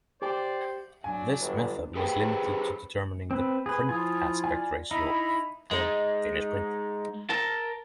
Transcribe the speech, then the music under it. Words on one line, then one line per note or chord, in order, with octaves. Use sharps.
This method was limited to determining the print aspect ratio of the finished print.
G4 C5 D5
F#3 D4 G#5
G1
G4 G#4 B4 C5 G5
C4 B4
G#4 B4
F3 E4 F4 G#5 D#6
D5 G#5
D#4 E4 E5 A#5 B5
G#3 D#4
A#4 A5